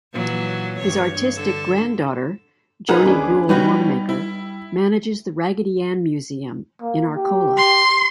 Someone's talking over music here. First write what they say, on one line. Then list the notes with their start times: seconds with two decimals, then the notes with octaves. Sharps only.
His artistic granddaughter, Joni Gruelle Wannamaker, manages the Raggedy Ann Museum in Arcola.
0.13 A#2 E3 F#3
0.79 G2 C#5
1.35 D3 A4
2.89 D#4 G#4 A#4 B4 F#5
3.06 D#2 C#4 D4
3.49 B2 G3 D#4 F#4 B4 C#5
4.09 E4
6.81 A#3
7.16 G4
7.58 C6